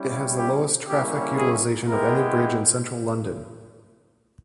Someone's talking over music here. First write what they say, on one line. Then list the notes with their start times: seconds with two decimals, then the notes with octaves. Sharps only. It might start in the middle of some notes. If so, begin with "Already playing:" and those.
It has the lowest traffic utilisation of any bridge in central London.
Already playing: G3 C#4 E4 G4
0.37 G4
0.87 G3 A#3 C#4 E4 G4
1.37 G#4
1.85 G#3 B3 E4 G4 A#4